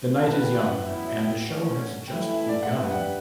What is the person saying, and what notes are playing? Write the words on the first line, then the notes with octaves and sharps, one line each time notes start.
The night is young, and the show has just begun.
E3 B3 E4 B4 A5
G5
F#5
F#3 B3 E4 E5
E5
G5
D3 A3 C#4
A2 E3 A3 E4 G5
E5
D5
F#5
G3 D4 G4 B4 E5
F#5